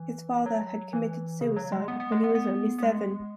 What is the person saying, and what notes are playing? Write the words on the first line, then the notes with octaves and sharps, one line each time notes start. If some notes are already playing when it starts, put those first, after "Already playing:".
His father had committed suicide when he was only seven.
Already playing: E3
F#3
E3
C#3
F#3
G#3
B3
B3
G#3
B3
B3
B3
G#3